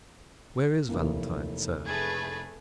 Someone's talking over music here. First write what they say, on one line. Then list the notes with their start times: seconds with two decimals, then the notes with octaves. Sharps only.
Where is Valentine, sir?
0.89 F1 E3 A#3
1.86 A3 G#4 B4 G#6 A6